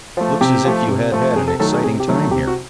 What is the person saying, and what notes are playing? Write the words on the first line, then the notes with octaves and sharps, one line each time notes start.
"Looks as if you had had an exciting time here."
F3 A3
C3 G4
F3 A3
C3
F3 A3
C3 G#4
A4
D#3 F#3 A3 A4
G#4
C3 G#4
G4
D#3 F#3 A3
C3 G4
F#4